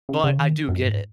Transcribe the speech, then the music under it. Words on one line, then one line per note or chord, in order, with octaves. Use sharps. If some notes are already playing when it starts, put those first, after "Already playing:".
But I do get it.
C#3
C#3
D#3
F#2
G#2